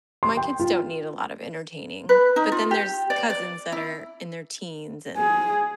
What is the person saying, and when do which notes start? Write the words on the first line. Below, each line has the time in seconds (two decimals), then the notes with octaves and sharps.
My kids don't need a lot of entertaining, but then there's cousins that are in their teens, and
0.23 C6
0.37 G5
0.60 F4
2.09 B4
2.36 D#4
2.52 F4
2.71 G4
3.10 D5
3.30 D5
3.72 E4
5.17 G#4